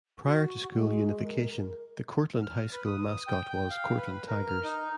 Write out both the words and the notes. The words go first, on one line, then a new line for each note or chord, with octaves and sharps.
Prior to school unification, the Courtland High School mascot was Courtland Tigers.
F#4
G#3
A#4
F6
B4
D#6
G5
G5
F5
B4
A#4
F6
D#4